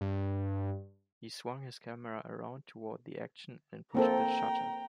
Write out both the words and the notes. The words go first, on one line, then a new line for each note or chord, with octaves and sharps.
He swung his camera around toward the action and pushed the shutter.
G2
A#3 C4 A4 G5 A#5